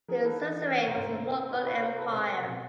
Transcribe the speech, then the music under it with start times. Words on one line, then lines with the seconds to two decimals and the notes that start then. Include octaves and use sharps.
His suzerain was the Mongol Empire.
0.08 F3 G#4 A#4
0.19 E3
0.24 D#3 A4 B4
0.40 E3
0.82 C#5
0.87 C3 A#4 C5
0.97 G#2
1.09 D3
1.19 C3
1.51 B4 C#5
1.66 B4 C#5
1.82 A#4 C5
1.98 A4 B4
2.13 C3 A#4 C5
2.45 B2